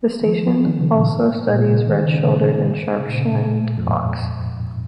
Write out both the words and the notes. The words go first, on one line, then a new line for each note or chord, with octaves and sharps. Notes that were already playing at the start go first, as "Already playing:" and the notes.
The station also studies Red-shouldered and Sharp-shinned Hawks.
D#3
F3
F3
D#3
C#3
A#2
G#2
A#2
A#2
C#3
D#3
C#3
C#3
A#2
G#2
C#3
A#2
C#3
A#2
F2
G#2